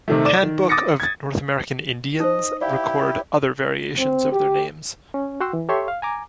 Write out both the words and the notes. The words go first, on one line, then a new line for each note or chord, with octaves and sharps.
"Handbook of North American Indians" record other variations of their names.
C3 D#3 A3
D5 D6 E7
D#3
D6 D#6 A6 A#6 C#7
G#6 A6
D#4 C5 D#5
E4 G4 D5 F5
C4
G4
C#4
F#4 F#5 G5 C6 E6
E3
G4 A4 C#5 E5 C6 C#6
F5
G#5 A#5 D6